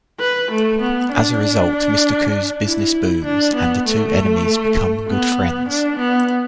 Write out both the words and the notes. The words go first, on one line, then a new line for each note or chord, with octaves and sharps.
As a result, Mr. Khoo's business booms, and the two enemies become good friends.
B4
A3
B3
D4
E4
D4
B3
A3
B3
D4
B3